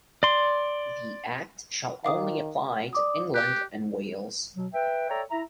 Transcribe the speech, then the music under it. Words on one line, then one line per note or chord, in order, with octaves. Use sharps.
The act shall only apply to England and Wales.
D5 C6
D#3 F5 D6 D#6
D5 D6 D#6
G4 F#6
B2 F#3
B4 E5 G5
A4 C#5 D5 E5 G5 A#5
E4 E5 A#5